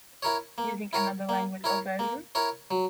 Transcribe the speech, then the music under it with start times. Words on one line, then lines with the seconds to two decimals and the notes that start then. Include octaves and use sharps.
Using another language or version?
0.23 E4 A#4 C#5
0.58 A#3
0.93 E4 A#4 C#5
1.29 A#3
1.64 E4 A#4 C#5
1.99 A#3
2.35 E4 A#4 C#5
2.71 F#3